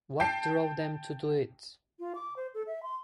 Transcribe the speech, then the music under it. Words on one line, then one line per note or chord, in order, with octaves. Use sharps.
What drove them to do it?
G5 A5 C7
F4
D6
C5
A4
E5
C6